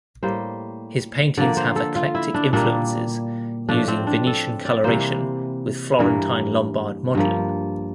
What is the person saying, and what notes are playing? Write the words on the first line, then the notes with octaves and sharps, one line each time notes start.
His paintings have eclectic influences using Venetian coloration with Florentine-Lombard modeling.
A2 G3 A#3 C5
D3 F3 A#3 D5
C5
A4
F4
E4
D4
A#2 G3 A#3 D4
A2 F3 A3 D4
C4
D4
A4
D5
C3 E3 G3 A#3 C5
G2 E3 A#3 A#4
G2 F3 A#3